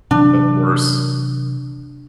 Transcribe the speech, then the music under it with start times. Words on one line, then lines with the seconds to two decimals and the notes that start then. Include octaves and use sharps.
That's worse.
0.11 C3 E3 F#3 D4